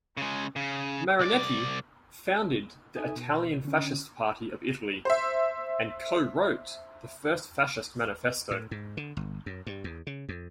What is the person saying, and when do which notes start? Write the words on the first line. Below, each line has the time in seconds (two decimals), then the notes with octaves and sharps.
Marinetti founded the Italian Fascist Party of Italy, and co-wrote the first Fascist manifesto.
0.17 C#3 G#3
0.56 C#3
1.19 C2 D5
2.96 D#4 A4 E5 G#5 D#6
3.16 B2
3.64 D3 C#4
5.05 C5 E5
8.51 A2
8.71 G#2
8.97 D3
9.17 G1
9.46 F#2
9.67 G2
9.84 E2
10.07 C#3
10.29 F2